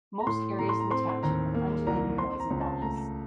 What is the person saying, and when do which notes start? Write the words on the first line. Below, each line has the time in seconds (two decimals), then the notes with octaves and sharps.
Most areas in the township have undulating hills and gullies.
0.20 A#5
0.27 A2 C6
0.59 A2 A#5
0.69 C6
0.80 A#5
0.91 C4 C6
1.09 C6
1.23 D#2 A#5
1.54 A#3
1.87 C2 A#5
2.18 C4 C6
2.40 A#5
2.50 C#2
2.61 A5
2.82 A3 A#5